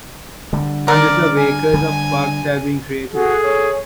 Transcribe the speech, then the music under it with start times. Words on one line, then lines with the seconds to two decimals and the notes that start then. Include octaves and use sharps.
Hundreds of acres of parks have been created.
0.53 D3 G3
0.88 A#4 D5
1.37 G#5
1.74 D3 G3
3.13 F#4 G#4 A4
3.43 C#5